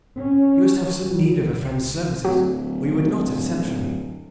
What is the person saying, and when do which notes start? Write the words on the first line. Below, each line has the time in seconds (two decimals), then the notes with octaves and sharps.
You must have some need of a friend's services, or you would not have sent for me.
0.17 C#4
1.04 C#2
2.25 D1 F#3